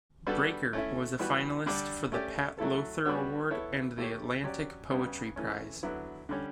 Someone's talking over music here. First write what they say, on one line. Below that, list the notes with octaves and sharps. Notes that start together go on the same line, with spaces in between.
"Breaker" was a finalist for the Pat Lowther Award and the Atlantic Poetry Prize.
G3 B3 D4 F#4 A4
A3 C#4 E4
E3 G3 B3 F#4 B4
D3 G3 D4 A4 D5
A3 C#4 G4 D5
F#3 A3 E4 A4
G3 B3 D4 F#4 C#5
B3 E4 A4 C#5
A3 E4 G4 C#5
F#3 C#4 G4 D5
C#3 G3 B3
E3 A3 C#4
D3 F#3 B3 E4
D3 G3 C#4